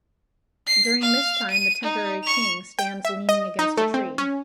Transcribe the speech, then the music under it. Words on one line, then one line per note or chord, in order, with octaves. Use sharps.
During this time the temporary king stands leaning against a tree.
C7
F5
D#7
D#4
C#6 F7
G5
E5
D#5
D#4
A3
C4
C#4